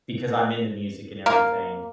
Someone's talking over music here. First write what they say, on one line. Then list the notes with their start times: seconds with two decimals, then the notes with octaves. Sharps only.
because I'm into music and everything,
1.26 A#3